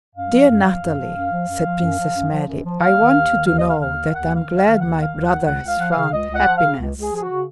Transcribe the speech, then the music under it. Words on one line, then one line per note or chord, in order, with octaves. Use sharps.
"Dear Natalie," said Princess Mary, "I want you to know that I am glad my brother has found happiness...."
F#2 F5
F3
F#2
F3
F#2
F3
F#2
F3
F#2
F3
F#2
F3
F#2
F3
F#2
F3
D#2 F5
D#3
D#2
D#3
D#2 F5
D#5
D#3 F5
D#2 F5
D#3
D#2 F#5
D#3
F5
D#2
F5
D#3
D#2 F#5
D#3
F5
D#2
F#5
D#3
C#2 F#5
C#2
F5
F3 F#5
F5
C#3
C#2 D#5
C#2
F#5
F3
F5
C#3
C#2
C#2
G#4
F3 G#4
F#4
C#3